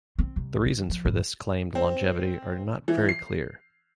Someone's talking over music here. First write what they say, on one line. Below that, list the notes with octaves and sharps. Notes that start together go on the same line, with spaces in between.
The reasons for this claimed longevity are not very clear.
C4
C2
D#3
F3
G#1
C4
E3
C7